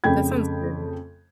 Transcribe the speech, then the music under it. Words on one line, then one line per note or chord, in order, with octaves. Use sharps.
That sounds good.
F2 C#3 A3 G5 B5 G#6